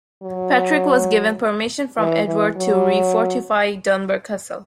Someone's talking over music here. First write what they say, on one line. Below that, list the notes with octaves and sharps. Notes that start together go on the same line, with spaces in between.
Patrick was given permission from Edward to refortify Dunbar Castle.
F#3
E3
E3
F#3